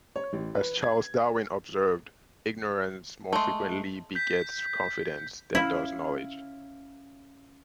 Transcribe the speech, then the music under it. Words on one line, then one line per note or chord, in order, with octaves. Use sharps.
As Charles Darwin observed, ignorance more frequently begets confidence than does knowledge.
C#5
A1
B4
G#6
G#3 A3
G6 B6
C#4 E4 E5 F5